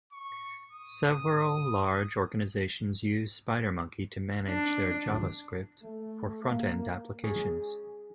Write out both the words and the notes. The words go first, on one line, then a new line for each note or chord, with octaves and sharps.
Several large organizations use SpiderMonkey to manage their JavaScript for front-end applications.
C#6
D#6
D4
A3
A#3
G#4